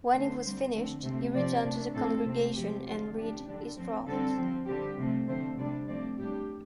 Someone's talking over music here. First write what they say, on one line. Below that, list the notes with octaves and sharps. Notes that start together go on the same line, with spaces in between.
When he was finished, he returned to the congregation and read his draft.
D3 A3 C4 C5
D3 G3 C4
D3 F3 A3 C4
C3 A3 C4
C3 F3 C4 D5
C3 A3 D4
A2 F3 C4 A4
C3 A3 C4
C3 F3 C4 G4
D3 F3 C4 F4
F3 A3 D4 G4
D3 G3 D4
F3 C4
D3 G3 C4 A4
F3 C4
D3 G3 C4 G4
C3 F3 A3 C4
D3 F3 A3 C4 C5
C3 G3 D4 D5
F3 A3 C4 D5
A2 G3 D4 G4